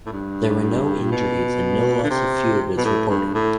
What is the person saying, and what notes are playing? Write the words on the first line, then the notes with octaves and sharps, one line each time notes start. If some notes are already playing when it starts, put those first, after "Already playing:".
There were no injuries and no loss of fuel was reported.
A2
G2
B2
D3
C3
B2
A2
G2
A2